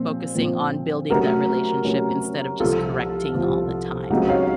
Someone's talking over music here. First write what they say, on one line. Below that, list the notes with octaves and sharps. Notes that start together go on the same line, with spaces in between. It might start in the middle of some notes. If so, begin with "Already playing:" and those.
focusing on building that relationship instead of just correcting all the time.
Already playing: A#2 F3 C4
A#2 F3 C4
C3 F#3 A3 C#4 F#4 A#4
C3 F#3 A3 C#4
C2 C3 F3 F4 A4
C2 C3 F3
C#2 C#3 F#3 C4 D#4 F#4
C#5 F5